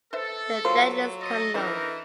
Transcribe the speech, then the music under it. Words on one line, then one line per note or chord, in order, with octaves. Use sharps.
The Deadliest Colonel.
A4 B4 C5 E5
F#3 A#3 F4 C5
A4 D#5
D3 E3 C#4 D#4 A#4 D#5